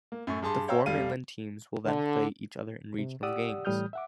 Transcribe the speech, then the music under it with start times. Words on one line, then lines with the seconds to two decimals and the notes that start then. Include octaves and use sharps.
The four mainland teams will then play each other in regional games.
0.12 A#3
0.27 F#2 A2 C#6
0.43 G2 G#4 A5 C6
0.68 C5 C#5 F5 G5 A#5 E6
0.86 F1 G3 A4 F5 D#7
1.85 D3
2.98 C3
3.23 G4 D5 F#5 D#6 E6
3.65 A2 E3 G3 D#6 F6 G6
3.93 E5 F#5 D6